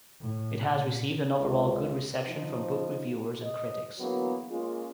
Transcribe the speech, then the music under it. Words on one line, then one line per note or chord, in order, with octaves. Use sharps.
It has received an overall good reception from book reviewers and critics.
A2
A#2
C#2
F3 D#4
D#5
D3 E3 F#3 G#3 A#3 B3
G#3 A#3 C#4 F4